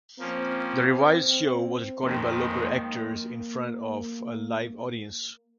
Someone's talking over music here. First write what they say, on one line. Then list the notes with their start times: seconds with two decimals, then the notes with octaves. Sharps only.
The revised show was recorded by local actors in front of a live audience.
0.19 F3 A#3 C4 C#4
2.03 F2 D#3 G#3 A#3